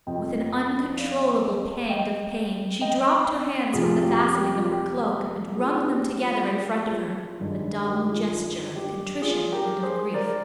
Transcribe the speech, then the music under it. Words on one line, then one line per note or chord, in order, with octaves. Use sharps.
With an uncontrollable pang of pain she dropped her hands from the fastenings of her cloak, and wrung them together in front of her--a dumb gesture of contrition and of grief.
F2 C3 F3 D#5 G5
D5 F5
D#5 G5
D#5 G5
F2 C3 F3 F4 G#4
F4
G4
G4
F4
G4
F4 G#4
G4
F4
G#4
G4
F4
G4
F4 G#4
F4
G2 D#3 G#3
G#4
G4 A#4
F4 G#4
F4
G4
F4 G#4
G4 A#4
G#4 C5
A#4 D5